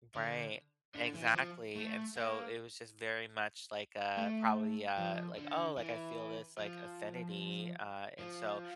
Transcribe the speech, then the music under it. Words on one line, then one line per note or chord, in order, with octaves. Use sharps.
Right. Exactly, and so it was just very much like, uh, probably, uh, like, "Oh, like, I feel this, like, affinity," uh, and so,
D3
D3
E3
F3
A3
A#3
A3
F3
D3
E3
F3
F3